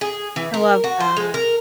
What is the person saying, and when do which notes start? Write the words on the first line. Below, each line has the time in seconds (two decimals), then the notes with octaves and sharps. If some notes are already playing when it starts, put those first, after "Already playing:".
I love that.
0.01 G#4
0.36 E3
0.54 A#4
0.84 F#4
1.00 C5
1.17 G#3
1.34 A#4